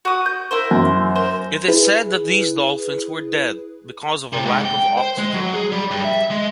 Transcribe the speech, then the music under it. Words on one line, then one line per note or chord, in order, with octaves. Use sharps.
It is said that these Dolphins were dead because of a lack of oxygen.
F#4 D#6
G6
E4 A#4 C5
F#2
A#4 C5
E4 G#4 B4
C3
G#2
G5
C5
G#3
F#3
G#4
G3
G2
E5
G#3